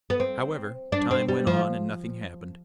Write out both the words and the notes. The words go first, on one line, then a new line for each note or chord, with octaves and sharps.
However, time went on and nothing happened.
B3
C4
D4
C4
G3
F3